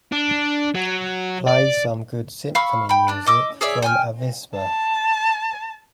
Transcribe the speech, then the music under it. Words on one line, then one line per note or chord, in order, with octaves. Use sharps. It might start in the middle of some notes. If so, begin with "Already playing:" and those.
Play some good symphony music from Avispa.
D4
F#3
D5
F5 B5 C#6 E6
G5 B5
D4 D5
D#5 D6 E6
G#4 C#5 D5 E5
G5 G#5 F6
A5